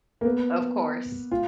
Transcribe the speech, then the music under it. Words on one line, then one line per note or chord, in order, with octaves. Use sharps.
Of course.
A#3
B3
F4